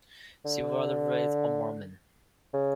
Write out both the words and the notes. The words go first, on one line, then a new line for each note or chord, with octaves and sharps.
She was raised a Mormon.
D3
C#3